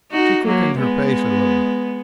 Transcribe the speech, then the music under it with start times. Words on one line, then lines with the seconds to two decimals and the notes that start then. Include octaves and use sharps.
She quickened her pace a little.
0.11 D#4 F#4
0.46 F#3 A#3
0.79 G#3 B3